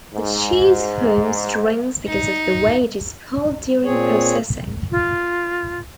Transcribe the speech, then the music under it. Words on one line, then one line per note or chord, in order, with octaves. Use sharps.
The cheese forms strings because of the way it is pulled during processing.
G#2
D#4
A#2 C4 G#4 C#5
F4